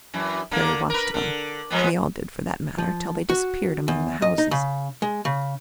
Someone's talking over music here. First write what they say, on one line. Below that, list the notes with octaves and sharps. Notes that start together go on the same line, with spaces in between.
Terry watched them, we all did for that matter, till they disappeared among the houses.
F#2 E3
D3 A#3
A#4 B4
D3
F3 G#3 B3
F3
F#4
E2
D#5
D#4
C#3
G#3
C#3